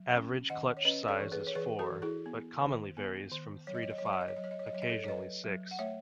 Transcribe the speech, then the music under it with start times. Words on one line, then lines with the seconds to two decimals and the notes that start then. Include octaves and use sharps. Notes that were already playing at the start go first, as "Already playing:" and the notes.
Average clutch size is four, but commonly varies from three to five, occasionally six.
Already playing: F#3
0.14 C#4
0.50 D#3 D#5 F#5
0.77 C#5
0.85 C#4 B4 D#5
1.08 A4 C#5
1.20 E3
1.32 G#4 B4
1.47 C#5
1.55 E3 G#4 B4
1.79 F#4 A4
1.91 E3
2.02 E4 G#4
2.26 B3
2.62 D#3
2.97 B3
3.32 D#3
3.67 F#3 C#5
3.75 D#5
3.83 C#5
3.90 D#5
3.98 C#5
4.02 F#3 D#5
4.13 C#5
4.21 D#5
4.28 C#5
4.36 F#3 D#5
4.44 C#5
4.51 D#5
4.59 C#5
4.67 D#5
4.73 F#3 C#5
4.82 D#5
4.90 A4 C#5
5.04 C#5
5.08 F#3 B4 D#5
5.44 F#3
5.71 F#5
5.79 A3 C#5 E5